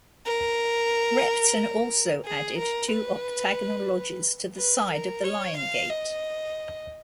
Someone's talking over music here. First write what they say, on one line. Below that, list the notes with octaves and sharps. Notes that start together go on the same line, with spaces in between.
Repton also added two octagonal lodges to the side of the Lion Gate.
A#4
G#4
A#4
B4
B4
A#4
C#5
F5
D#5